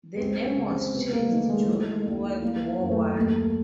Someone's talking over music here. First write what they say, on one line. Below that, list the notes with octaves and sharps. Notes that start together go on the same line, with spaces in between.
The name was changed during World War One.
B3
C#2 C4
C#4
C#3
C4
C3 B3
A#3
D#3 A3
G#3
E3 A3
D2 A#3
E3 A#3
F#2
A3
D#2 A3